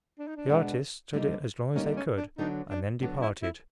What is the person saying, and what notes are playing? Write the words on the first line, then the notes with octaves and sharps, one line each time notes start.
The artists stood it as long as they could, and then departed.
D4
D#4
D4
B2 G#3 B3
D3 G3 A#3 D#4
D3 G3 A#3 C#4 D#4
C#4
D4
D3 F#3 B3 D4 D#4
D4
D3 F#3 B3 D4
E4
E4